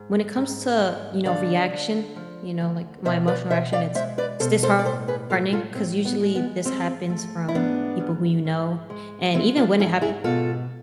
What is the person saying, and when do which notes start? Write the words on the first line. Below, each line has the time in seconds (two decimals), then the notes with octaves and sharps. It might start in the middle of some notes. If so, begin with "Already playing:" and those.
when it comes to, you know, reaction, you know, like my emotional reaction, it's it's disheartening, 'cause usually this happens from people who you know, and even when it happens
Already playing: G#2
0.35 G#2
0.80 G#3
1.25 D3 D5 F5
1.70 D3
2.16 F3
2.61 D2
3.05 B2 C5 E5
3.28 B4 D5
3.50 B2 C5 E5
3.73 D5 F5
3.95 G#3 C5 E5
4.18 B4 D5
4.40 B2 A4 C5
4.63 A4 C5
4.79 D5
4.85 A2 A4 C5
5.08 G#4 B4
5.30 A2 F4 A4
5.53 F4 A4
5.75 A2 C4
6.05 B3
6.20 G#3
6.35 B3
6.65 G#2 C4
7.10 A3
7.48 E4
7.55 G#2 B3 D4
8.00 G#2
8.45 G#2
8.90 G#3
9.34 G#3 C4 E4
9.57 D4 F4
9.79 G#2 E4 G#4
10.01 E4 G#4
10.24 B2 F4 A4